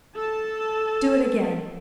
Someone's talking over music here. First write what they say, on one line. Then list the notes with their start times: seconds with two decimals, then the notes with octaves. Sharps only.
Do it again!
0.16 A4 A5